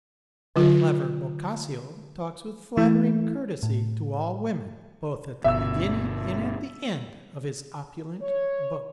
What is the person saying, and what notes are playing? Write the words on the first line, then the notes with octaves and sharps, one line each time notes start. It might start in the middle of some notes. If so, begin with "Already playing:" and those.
The clever Boccaccio talks with flattering courtesy to all women, both at the beginning and at the end of his opulent book.
D3 F#3 F4
E3 A3 E4
A2
G1 B2 E5 E6
C#5